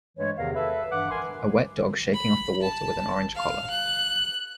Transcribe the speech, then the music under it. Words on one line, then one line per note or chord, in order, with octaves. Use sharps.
A wet dog shaking off the water with an orange collar.
G2 E3 G#3 A3 C#5
E2 C3 D#3 A#4 F5
A4 B4 E5
G2 E3 F#5 D6
A#4 B4 G#5 C6
B5
A5
F5
F#6